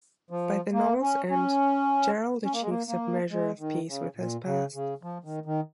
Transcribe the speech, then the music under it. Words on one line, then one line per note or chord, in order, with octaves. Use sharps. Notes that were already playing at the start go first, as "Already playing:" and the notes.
By the novel's end, Gerald achieves a measure of peace with his past.
F3
A#3
C#4
C#4
C#4
A#3
G#3
A#3
A#3
G#3
D#3
C#3
A#2
C#3
C#3
F3
D#3
D#3